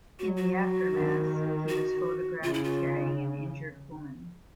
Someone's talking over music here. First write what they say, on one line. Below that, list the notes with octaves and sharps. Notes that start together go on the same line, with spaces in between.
In the aftermath, he was photographed carrying an injured woman.
F#3 F#4
F#4
D#3
F#4
C#3 F4
E4
F4